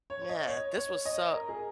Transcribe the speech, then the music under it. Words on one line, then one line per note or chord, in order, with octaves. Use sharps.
Man, this was so
C#5
C#5
D#5
C#5
C#5
D#5
A#4
G#4